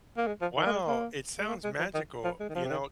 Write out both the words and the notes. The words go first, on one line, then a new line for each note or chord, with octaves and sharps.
Wow, it sounds magical, you know,
A#3
G#3
F3
D#3
A#3
G#3
A#3
G#3
A#3
G#3
F3
D#3
F3
G#3
D#3
F3
C3
D#3